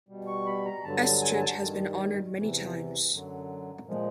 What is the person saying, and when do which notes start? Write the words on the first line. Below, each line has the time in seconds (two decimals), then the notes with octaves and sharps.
Estridge has been honored many times.
0.09 B2 G3
0.27 C#6
0.46 B5
0.65 A#5
0.84 G2 D3 F#3 A5
1.03 A5
1.22 G#5
1.35 G#5
1.40 A5
1.60 G2 D#3 G3
2.35 E2 C3 E3
3.11 F#2 D3 F#3
3.86 A#2 F3 G#3